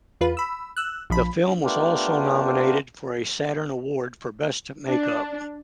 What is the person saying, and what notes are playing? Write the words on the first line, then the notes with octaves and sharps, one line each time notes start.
The film was also nominated for a Saturn Award for Best Make-up.
E2 F4 B4
B5 E6
E6 F#6
A#1 F3 B5
A3 B3 D4 F4 G4 A#4
D4